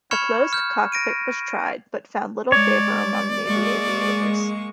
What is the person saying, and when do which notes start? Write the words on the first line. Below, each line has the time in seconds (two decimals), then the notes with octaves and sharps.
A closed cockpit was tried but found little favor among Navy aviators.
0.11 B5 C#6 F6 G#6 C#7 E7
0.53 F6 G6
0.92 A#6 D7 D#7
2.52 G#3 C#5 D5
3.46 G#3 A#3 C#6